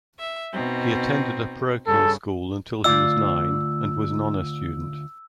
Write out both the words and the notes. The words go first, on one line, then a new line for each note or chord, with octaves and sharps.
He attended a parochial school until he was nine and was an honor student.
E5
B2 C4 D#4
G2 C#3 A4
D2 F4 D5 E6